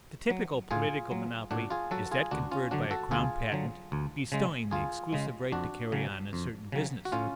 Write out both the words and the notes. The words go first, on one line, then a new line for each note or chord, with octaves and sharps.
The typical political monopoly is that conferred by a crown patent bestowing the exclusive right to carry on a certain business.
F#3
A2 F4 G#4
F#3
A2 D4 F#4
F4 G#4
F#3 F#4 A4
F4 G#4
D2 D4 F#4
C#4 F4
D3 F#3 D4 F#4
F#4 A4
D2 F4 G#4
D3 F#3
D2
C#3 G#3
D2 F4 G#4
C#3 G#3
F2 D4 F#4
C#3 F#3
F2
C#3 F#3
F#4
A2 C#4 F4